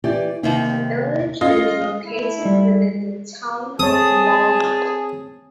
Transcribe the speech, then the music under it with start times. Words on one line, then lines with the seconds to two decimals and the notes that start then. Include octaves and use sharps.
The village is located within the Town of Walworth.
0.04 E3 G4 D5
0.43 D#2 C3 D#4
1.41 C#4 F4 D#5
2.06 A3 E4
2.45 G3
3.79 C4 G#4 C#5 A5 D#6